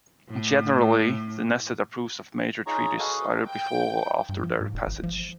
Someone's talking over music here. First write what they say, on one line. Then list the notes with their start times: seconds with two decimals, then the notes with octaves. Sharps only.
Generally, the Knesset approves of major treaties either before or after their passage.
0.30 A2
2.66 D#4 F4 G#4 C#5 A#5 C#6
2.99 F#4 G#4 A4 B4 D#5 F5
3.48 G5
4.29 G2
4.43 F3
4.61 G#2
4.74 E1
4.87 G#1
5.03 F3